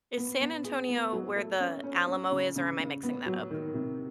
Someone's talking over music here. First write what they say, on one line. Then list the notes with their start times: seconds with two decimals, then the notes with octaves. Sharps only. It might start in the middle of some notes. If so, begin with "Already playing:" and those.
Is San Antonio where the Alamo is, or am I mixing that up?
0.17 B3
0.41 B3
0.64 G#4
0.88 B3
1.12 F#3
1.36 A3
1.60 C#4
1.84 C#4
2.07 C#4
2.32 C#3
2.56 C#3
2.79 C#3
3.03 B3
3.26 F#3
3.51 D#3
3.74 C3